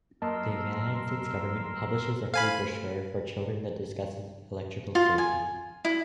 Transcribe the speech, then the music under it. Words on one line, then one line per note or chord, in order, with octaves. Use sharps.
The United States government publishes a free brochure for children that discusses electrical safety.
F#2 A#3 A#4 D#5 A5 C6 E6
A3 A4 C5 F5 G#5 B5
F4
G#5
E4